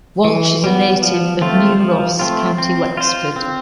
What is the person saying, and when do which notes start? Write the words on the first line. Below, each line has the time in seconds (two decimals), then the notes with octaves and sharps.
Walsh is a native of New Ross, County Wexford.
0.24 E3
0.64 G3 B3
1.02 F3
1.41 A3 C4 F4
1.81 F3
2.19 A3 C4 F4
2.58 C4
2.97 F4 C5
3.36 C4